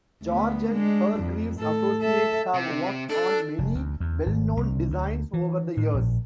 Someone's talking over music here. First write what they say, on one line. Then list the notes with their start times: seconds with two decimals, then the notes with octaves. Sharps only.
George and Hargreaves Associates have worked on many well known designs over the years.
0.23 D2 B3
0.71 G#3 D4
1.17 F2
1.59 A2 A4
2.01 A4 E5
2.54 C3
3.10 D4 A4
3.58 F1
3.74 D2
4.00 E2
4.26 G#1
4.57 C2
4.90 D2
5.33 E3
5.77 A2
5.94 A#1